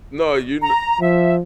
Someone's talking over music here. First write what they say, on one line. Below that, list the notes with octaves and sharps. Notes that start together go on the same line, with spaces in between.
No, you kno
A#5
F3 E5